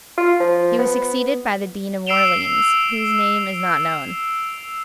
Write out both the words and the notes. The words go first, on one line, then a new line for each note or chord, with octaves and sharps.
He was succeeded by the Dean of Orleans, whose name is not known.
F4
F3
B3
E6 C7 D7 E7 F7 G7